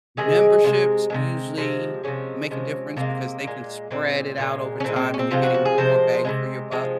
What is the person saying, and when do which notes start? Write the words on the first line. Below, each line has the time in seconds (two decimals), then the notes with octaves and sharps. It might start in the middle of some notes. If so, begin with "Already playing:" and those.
memberships usually make a difference because they can spread it out over time and you're getting more bang for your buck,
0.17 C3 D#3 G#3 G#4
0.64 C3 D#3 G#3
1.10 C3 D#3 G#3
1.57 C3 F3 G#3
2.04 C3 F3 G#3 C#4
2.50 C3 F3 G#3
2.97 C3 F3 G#3 A#3
3.44 A#2 G#3
3.91 A#2 G#3 C4
4.38 A#2 G#3
4.80 C#4
4.84 A#2 C4
4.89 G#3
4.96 C4
5.14 C#4
5.19 C4
5.31 C3 F3 G#3 F4
5.43 F#4
5.54 F#4
5.65 G#4
5.78 C3 F3 G#3 C5
6.25 C3 F3 G#3
6.71 C3 F3 G#3